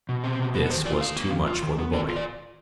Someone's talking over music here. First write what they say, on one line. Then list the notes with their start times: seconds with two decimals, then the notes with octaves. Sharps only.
This was too much for the bully.
0.09 B2
0.24 C4
0.40 B2
0.54 B3 B4
0.70 D#3 C5
0.85 F4 D5
1.01 D#3 F5
1.16 B3
1.31 D#3
1.47 F4
1.62 D#3
1.78 B3
1.93 D#3 D5
2.09 F4
2.16 D5